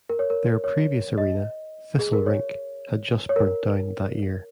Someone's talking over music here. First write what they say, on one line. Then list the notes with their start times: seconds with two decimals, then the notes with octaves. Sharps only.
Their previous arena, Thistle Rink, had just burnt down that year.
0.09 A#4
0.19 C#5
0.30 A#4
0.64 C#5
1.18 D#5
1.99 G#4
2.13 A#4
2.26 C#5
3.29 C#5
3.36 A#4